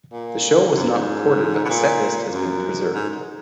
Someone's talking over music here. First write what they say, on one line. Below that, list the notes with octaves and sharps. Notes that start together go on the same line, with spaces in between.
The show was not recorded but the set list has been preserved.
A#2
F#2
G#2
B2
A#2
F#2
G#2